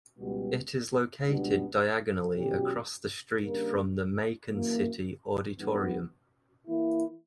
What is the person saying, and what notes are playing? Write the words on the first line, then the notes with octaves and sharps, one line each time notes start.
It is located diagonally across the street from the Macon City Auditorium.
C#2 B2 G3 B3
C#2 B2 G3 B3 D4
E2 B2 F#3 C#4 G4
C#3 G3 A#3 D4 A#4
F#2 E3 A#3
G2 E3 B3
E3 A#3 E4